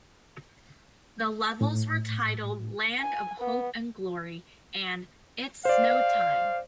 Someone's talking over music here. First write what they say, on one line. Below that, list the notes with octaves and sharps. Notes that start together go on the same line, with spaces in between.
The levels were titled "Land of Hope and Glory", and "It's Snow Time".
A2
G#5
B3
C5 D5 F5